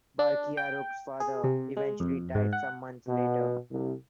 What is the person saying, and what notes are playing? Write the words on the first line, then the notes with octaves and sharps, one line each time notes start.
Barkiyaruq's father eventually died some months later.
D4
G5
G#4
C3
G#3
F2
G#2
F#5
B2
C2